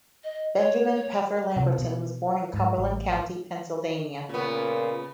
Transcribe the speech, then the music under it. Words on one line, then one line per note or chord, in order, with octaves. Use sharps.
Benjamin Peffer Lamberton was born in Cumberland County, Pennsylvania.
D#5
C#5
C#5
C3
B2
G#2
A1
A#2 C#3 B3